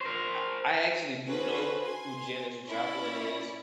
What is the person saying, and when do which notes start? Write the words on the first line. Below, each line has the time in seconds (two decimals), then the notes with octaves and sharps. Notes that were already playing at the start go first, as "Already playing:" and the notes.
I I actually do know who Janice Joplin is.
0.01 A#4 C5
1.25 C#4 F#4 G#4 A4 B4 C5
1.84 G#5 C6
2.67 C#4 E4 D5